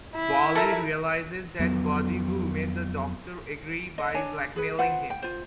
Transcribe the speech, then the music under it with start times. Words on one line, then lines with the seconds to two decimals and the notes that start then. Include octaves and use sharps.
Valli realises that Vadivu made the doctor agree by blackmailing him.
0.14 E4
0.55 A4 A#4 E5 A#5
1.59 F2 F#3 B3
3.98 D#5
4.14 D4 C#5 G#5
4.56 G#4 B4
4.79 F4 B4 C5 F#5
5.10 G5
5.22 F4 C5